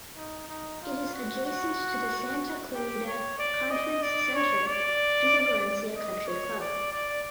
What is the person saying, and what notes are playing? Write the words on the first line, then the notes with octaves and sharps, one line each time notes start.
It is adjacent to the Santa Clarita Conference Center and the Valencia Country Club.
D#4
D#4
F4
F#4
F#4
G4
C#5
D5
D#5
D5
C#5
D5
D#5
C#5
D5
D5